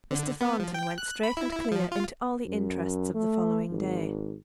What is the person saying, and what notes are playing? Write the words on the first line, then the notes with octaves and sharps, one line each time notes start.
Mr. Thornton went straight and clear into all the interests of the following day.
D3
B3
F3
G5
F#6
B5
E4
E4
F3
F4
F#2
A3
G#1